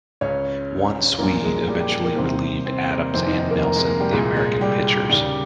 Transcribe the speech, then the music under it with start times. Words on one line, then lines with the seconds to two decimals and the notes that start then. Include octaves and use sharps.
One Swede eventually relieved Adams and Nelson, the American pitchers.
0.21 C#2 C#3 C#4 C#5
1.18 A#1 A#2 A#3 A#4
1.44 G#3 G#4
1.68 G3 G4
1.80 G3 G4
1.92 G#3 G#4
2.04 A#3 A#4
2.17 C2 C3 D#3 C4 C5
2.66 C4 C5
2.90 A#3 A#4
3.14 F1 F2 C3 D#3 C4 C5
3.27 D#3 D#4
3.38 D#3 D#4
3.50 A#3 A#4
3.63 A#3 A#4
3.75 G#3 G#4
3.87 A#3 A#4
4.00 G3 G4
4.12 C2 A#2 G#3 G#4
4.36 G#3 G#4
4.61 G3 G4
5.10 D#2 C#3 G3 G4